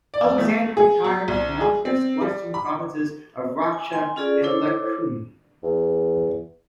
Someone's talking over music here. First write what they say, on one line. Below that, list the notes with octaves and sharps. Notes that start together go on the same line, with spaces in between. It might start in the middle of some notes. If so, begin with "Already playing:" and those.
Alexander retired to the mountainous western provinces of Racha and Lechkhumi.
D5
A3
G#4
F#3
C2
G#4
C4
G3
B5
G#5
G5 G#5 C6
C#4 F4 G#4 A4 D5
E4 A4 C5 C#5 D6
E2